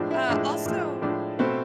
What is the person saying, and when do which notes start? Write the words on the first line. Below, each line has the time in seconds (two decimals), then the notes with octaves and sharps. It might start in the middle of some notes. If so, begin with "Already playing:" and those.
Uh, also
Already playing: A2 F3 G#3 D4
0.11 E4
0.29 A2 F3 G#3 D4
0.66 A2 F3 G#3
1.02 A2 F3 G#3 D4
1.39 B2 A3 C4